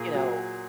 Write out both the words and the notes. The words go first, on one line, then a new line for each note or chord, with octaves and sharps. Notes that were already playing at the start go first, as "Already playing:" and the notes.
you know
Already playing: A#2 G#4
F#3